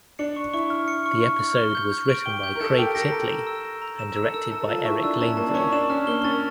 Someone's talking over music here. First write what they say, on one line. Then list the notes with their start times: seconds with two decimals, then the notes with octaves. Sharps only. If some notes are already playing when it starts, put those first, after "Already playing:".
The episode was written by Craig Titley and directed by Eric Laneuville.
0.19 D4 C#7
0.36 C#6
0.54 E4 C#6
0.70 F6
0.88 C#7
1.06 C#6
1.22 C#6
1.39 F6
1.56 G7
1.75 G6
1.92 G6
2.10 D7
2.26 G4 G7
2.43 G6
2.55 A#4
2.60 A4 G6
2.78 G4 D7
2.95 A4 A#6
3.12 A#5
3.30 E7
3.47 E6
3.65 A#6
3.82 A#5
3.99 E7
4.17 E6
4.23 A4
4.34 A#4 E6
4.52 A4 A5
4.68 F4 A5
4.86 E4 C#6
5.04 D4 E6
5.21 C#4 A5
5.37 A#3 A5
5.49 D4
5.54 C#4 C#6
5.72 D4 E7
5.90 C#4 F6
6.07 A#3 G7
6.24 C#4 A6